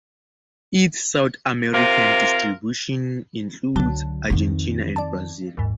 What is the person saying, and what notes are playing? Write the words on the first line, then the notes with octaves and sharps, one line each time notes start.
Its South American distribution includes Argentina and Brazil.
C3 F4 A#4
C#2 D3 F#3 A5
F2 D#3
D5 A5
A#1 D#2 G#2